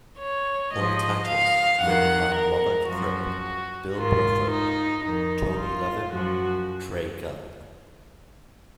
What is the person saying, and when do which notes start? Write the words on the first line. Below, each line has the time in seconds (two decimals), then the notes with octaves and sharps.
All titles written by Robert Fripp, Bill Bruford, Tony Levin, Trey Gunn.
0.19 C#5
0.72 G#2 F3 D#5
1.26 F5
1.81 F2 D#3 F#5
2.34 A#4
2.88 F#2 F3 F#4
3.96 G#2 D#3 F4
4.50 D#4
5.04 F2 D#3 D#4
5.59 F4
6.12 F#2 F3 F#4